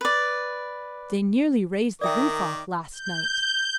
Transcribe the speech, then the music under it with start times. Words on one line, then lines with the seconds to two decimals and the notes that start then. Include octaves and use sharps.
They nearly raised the roof off last night.
0.01 B4 D5
2.01 D#3 A#4 D5 E5 G5 D6 D#6
2.92 G6